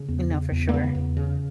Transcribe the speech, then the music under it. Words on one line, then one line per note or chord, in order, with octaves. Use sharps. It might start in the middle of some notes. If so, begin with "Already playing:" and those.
You know, for sure.
Already playing: C#3
E2
C#3
E2
A#3
C#3 B3
E2
C#3